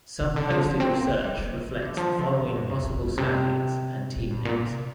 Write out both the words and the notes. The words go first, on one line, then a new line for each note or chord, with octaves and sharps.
Some posted research reflects the following possible standings and team names.
C3
D3
F3
G3
C4
A#3
A#3
G3
A#3
F3
D3
F3
D3
A#2
G2
F2
F2
G2
G2
C3
A#2
G2
A#2
C3